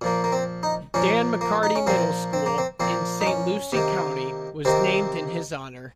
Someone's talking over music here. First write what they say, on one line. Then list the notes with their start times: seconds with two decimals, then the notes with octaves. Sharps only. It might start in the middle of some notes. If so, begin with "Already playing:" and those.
Dan McCarty Middle School, in Saint Lucie County, was named in his honor.
0.01 A#2 F3 A#3
0.24 A#3
0.32 C4
0.63 D#4
0.94 A#2 F3 A#3 C#4
1.41 A#3
1.63 D#4
1.76 C#4
1.87 A#2 F3 A#3 C4
2.33 C4
2.46 A#3
2.58 C4
2.80 A#2 F3 A#3 C4
3.21 D#4
3.26 C#4
3.73 C3 D#3 A#3
4.65 C3 D#3 A#3 C4